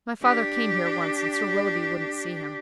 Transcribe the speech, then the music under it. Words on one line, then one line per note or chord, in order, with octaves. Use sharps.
My father came here once, and Sir Willoughby wouldn't see him.
D4 G4